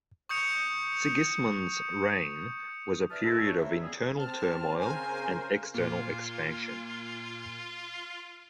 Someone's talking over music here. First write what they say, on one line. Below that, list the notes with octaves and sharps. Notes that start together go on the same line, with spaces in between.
Sigismund's reign was a period of internal turmoil and external expansion.
C#6 D#6 G6 C#7 F7
D4 B4 E5 A5 D#6 F6
G2 A#2 G#3 E4 A4
D4 C#5
C3 F#3 A#3 E5
G3 B3 C#4 G#4
C4 A5 F6
C#3 A#4 C5 G#5
A#2 F4